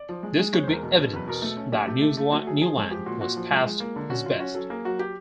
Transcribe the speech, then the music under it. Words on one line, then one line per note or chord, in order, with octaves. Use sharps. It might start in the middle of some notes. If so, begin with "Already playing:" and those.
This could be evidence that Newland was past his best.
Already playing: D5
F3
G#3
G#3
G#3 C#5
E2 C5
A#4
B2
B2
E2 B4
B2 A#4
A3 A4
C#4
A3 G4
A3 G4
A3
A3
A3 F#4
F#3 G#4
F3 G#4
G#3
F3 G4
A#2 F#4
A#2 F#4
F3
G#3 F4
G#3
A#3
D3
C#4 F#4
F#3 F4
C#4 F#4
F#3 A4
A#3 G#4
F#3 F#4
G4